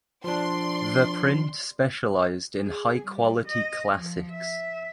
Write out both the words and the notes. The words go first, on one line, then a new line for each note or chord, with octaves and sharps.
The print specialized in high quality classics.
F3 D4 D5 C6
G#4
G3
D#5
F3
E5